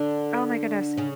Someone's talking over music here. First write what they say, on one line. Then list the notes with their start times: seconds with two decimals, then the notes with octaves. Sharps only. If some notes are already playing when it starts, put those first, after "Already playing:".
oh my goodness
Already playing: D3 D4
0.97 C#3 C#4